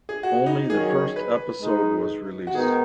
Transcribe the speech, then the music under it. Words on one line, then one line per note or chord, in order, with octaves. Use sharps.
Only the first episode was released.
G#4
F#4
D#4
D#3 F#3 C#4 G#4
B4
G#2 G#3 D#4
F#4
G#2 D#3 B3 D#4 G#4